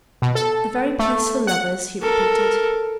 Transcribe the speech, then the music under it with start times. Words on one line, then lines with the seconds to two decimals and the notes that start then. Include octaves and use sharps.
"The very place for lovers," he repeated.
0.22 B2
0.35 A4
0.99 A3
1.47 F#5
2.02 A4 A#4